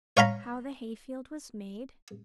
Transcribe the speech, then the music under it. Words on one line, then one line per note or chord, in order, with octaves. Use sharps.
How the hay-field was made?
C#5 F5 A#5 B5